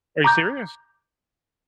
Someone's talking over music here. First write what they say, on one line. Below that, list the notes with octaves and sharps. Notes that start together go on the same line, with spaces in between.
Are you serious?
A#5 D6 G6